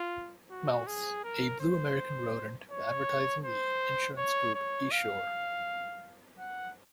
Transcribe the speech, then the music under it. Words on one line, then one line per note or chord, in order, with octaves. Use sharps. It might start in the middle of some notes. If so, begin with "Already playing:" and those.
Mouse, a blue American rodent advertising the insurance group esure.
Already playing: F4
F#4
G#4
A#4
C5
C#5
C5
C#5
C#5
F5
F#5